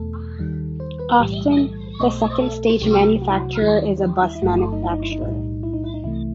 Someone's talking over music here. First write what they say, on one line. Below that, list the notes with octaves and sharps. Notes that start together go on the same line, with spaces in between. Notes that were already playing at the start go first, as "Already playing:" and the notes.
Often, the second stage manufacturer is a bus manufacturer.
Already playing: E2 B2 A3 A4
D#2 D#3 G3
C5
B4
B1 A2 E3 G3 G4
G4
A4
B1 B2 A3 D#5
C5
D#5
C5
A4
C2 C3 F#3 A3 G4
F#4
G4
F#4
E4
F#4
D#2 D#3 G3 E4
G4
E4
E4
G1 G2 F#3 A3 F#4
E4
A4
D#4
E4
D#4
E4
D#4
B1 A2 G3 E4
D#4
E4
D#4
E4
D#4
C2 C3 E3 A3 E4